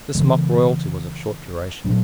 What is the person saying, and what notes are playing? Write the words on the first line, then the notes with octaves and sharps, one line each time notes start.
This mock royalty was of short duration.
C#3 E3 G#3 B3
A#2 F#3 A3 D4